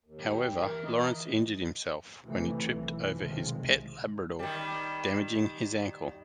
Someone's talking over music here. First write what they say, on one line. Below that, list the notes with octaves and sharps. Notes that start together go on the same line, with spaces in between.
However Lawrence injured himself when he tripped over his pet Labrador damaging his ankle.
D#2
G2 G5
E3 A#4
D#5
C3 E3 A3
B1 E3
B1 C3 D#3 F3 G#3
D#3 G3